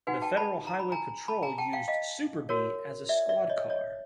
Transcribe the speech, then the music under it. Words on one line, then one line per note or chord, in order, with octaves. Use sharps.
The federal highway patrol used Super Bee as a squad car.
D#4 F#4 B4 F#5 G#5
G5 A5
A5 B5
A#5
B5
G#5 A#5
A5 B5
G#5 A#5
G5 A5
F5 G5
D#5 F5
F#4 A#4 C#5
D5 E5
D5 E5
C#5 D#5
C#5 D#5